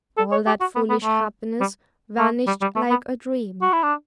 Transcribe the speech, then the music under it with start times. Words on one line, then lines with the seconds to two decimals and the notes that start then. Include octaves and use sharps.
All that foolish happiness vanished like a dream.
0.17 A4
0.31 C#5
0.46 G4
0.60 F#4
0.75 B3
0.90 B3
1.04 A3
1.60 G3
2.18 A3
2.47 G3
2.61 G3
2.76 A3
2.90 B3
3.62 F#4
3.73 E4
3.83 D4